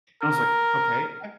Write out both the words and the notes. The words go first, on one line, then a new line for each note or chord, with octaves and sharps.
I was like, "Okay, I've"
A#4